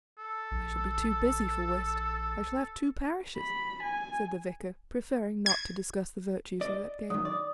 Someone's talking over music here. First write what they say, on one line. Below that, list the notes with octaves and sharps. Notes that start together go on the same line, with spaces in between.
"I shall be too busy for whist; I shall have two parishes," said the Vicar, preferring not to discuss the virtues of that game.
A4
A#1
B5
G#5
G#6
D5 D#5
F#2 D#3 D#6
D5